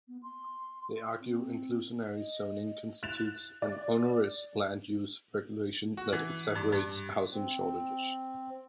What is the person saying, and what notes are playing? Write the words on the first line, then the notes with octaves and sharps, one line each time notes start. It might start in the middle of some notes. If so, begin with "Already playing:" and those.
They argue inclusionary zoning constitutes an onerous land use regulation that exacerbates housing shortages.
B3
C6
C4
D#5
F#6 A6 E7 F7
D5
F#4
E3
G2
G2
C4